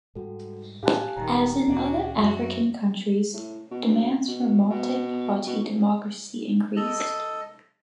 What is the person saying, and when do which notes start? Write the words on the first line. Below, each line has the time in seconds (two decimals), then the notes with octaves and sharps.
As in other African countries, demands for multi-party democracy increased.
0.15 G#2 G3 F#4 A4
0.83 A2 G4 F5 G#5 A5 F#6
1.17 D#1 A#2 D#3 G3 A#5
1.68 D2 A#2 E3 C#4 D4 F#4
2.17 F#2 F#3 A3 F#4 E5
3.34 A2
3.71 B2
3.87 D2
4.28 B2
4.70 B2
5.47 B2
5.62 F1
6.76 A4 D#5